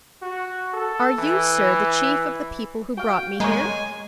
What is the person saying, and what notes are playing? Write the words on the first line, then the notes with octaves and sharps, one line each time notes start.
"Are you, sir, the chief of the people who brought me here?"
F#4
A4
E3
F#4 F5 G5
G#3 A#4 C#5 G#5